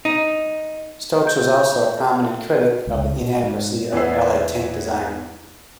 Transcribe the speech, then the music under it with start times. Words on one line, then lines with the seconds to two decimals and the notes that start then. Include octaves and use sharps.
Stokes was also a prominent critic of the inadequacy of Allied tank design.
0.05 D#4
1.27 G6
2.87 C#2
3.22 A#2
3.43 G#2
3.92 E2 E3 B3 E6 C7